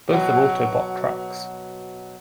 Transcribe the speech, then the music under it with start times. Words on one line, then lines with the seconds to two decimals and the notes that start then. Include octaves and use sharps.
Both are Autobot trucks.
0.10 B2 F#3